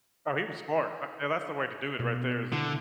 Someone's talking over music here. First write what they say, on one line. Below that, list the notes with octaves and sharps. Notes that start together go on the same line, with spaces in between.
Oh, he was smart, a and that's the way to do it, right there is
B2
D3 E4